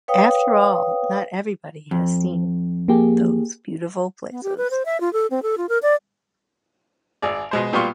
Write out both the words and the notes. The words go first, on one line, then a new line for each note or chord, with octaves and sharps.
After all, not everybody has seen those beautiful places.
B4 C#5 F5 G5 D#6
F2
A#3 G4 G#4
B3
G4
B4
C5
E5
F4
A4
C4
A4
F4
A#4
D5
G#1 G#4 D5
B2 G#3 C5
A#2 G3 B3 F4 C6 C#6